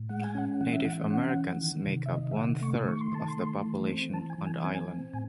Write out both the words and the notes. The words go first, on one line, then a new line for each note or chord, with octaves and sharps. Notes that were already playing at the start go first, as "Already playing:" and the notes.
Native Americans make up one-third of the population on the island.
Already playing: A2
G#3 F#5
G#5
C#4 F#5
E3 F#5
E5
E3 F#5
C#4 F#5
E3
D#3
C3
E5
D#3 D#5
E5
C3 F#5
A3 C#6
D#3 C#6
C6
D#3 A5
C6
A3
E3
C4
E3 A5
G#5
E3
G#5
C4 G#5
C4
A2 G#5